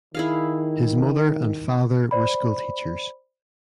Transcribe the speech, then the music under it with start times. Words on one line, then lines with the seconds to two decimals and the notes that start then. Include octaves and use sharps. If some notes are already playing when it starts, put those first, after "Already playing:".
His mother and father were school teachers.
0.15 D#3 E4 G#4 F5
2.11 C5 D5 B5